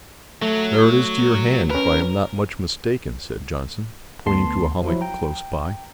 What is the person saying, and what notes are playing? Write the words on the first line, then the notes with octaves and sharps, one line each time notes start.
"There it is to your hand, if I am not much mistaken," said Johnson, pointing to a hummock close by.
F#3 A3
C#4 A#4 B4
D2 B3 A5 C6 C7
F3 F#3 E4
G5 A#5